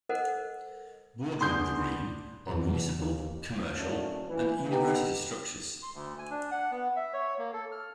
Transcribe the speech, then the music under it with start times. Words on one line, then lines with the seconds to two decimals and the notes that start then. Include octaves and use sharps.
Bordering the Green are municipal, commercial and university structures.
0.09 A4 A#4 C5 D#5 F#5
1.41 C#3 B3 D4 G#4 C6 G6
2.48 E2
2.98 D#2
3.78 A2 F#3 A3 A#3 C#4 D4
4.28 E3
4.71 B3 D#4 G4
5.82 C6
5.94 D2
6.19 G#5
6.31 D4
6.51 F#5
6.71 B3
6.96 E5
7.14 C#5
7.38 A#3
7.53 A4
7.72 F6